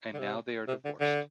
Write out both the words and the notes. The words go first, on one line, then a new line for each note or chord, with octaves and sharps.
And now they are divorced.
D3
C3
C3
D3
D3